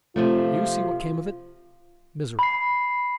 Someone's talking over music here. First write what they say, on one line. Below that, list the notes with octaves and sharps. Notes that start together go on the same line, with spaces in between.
"You see what came of it--misery."
C3 F3 A3 F4
B5 C7